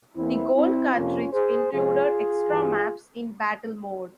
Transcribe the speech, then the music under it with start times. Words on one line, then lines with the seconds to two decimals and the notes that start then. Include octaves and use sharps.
The gold cartridge included extra maps in battle mode.
0.16 E2 E3 A#3 C4 E4
0.55 C4 E4
0.94 F2 C3 F3 A#3 C#4 F4
1.33 G#4 C5
1.72 C3 F3 G#3 C4 F4 G#4
2.49 G2 E3 G3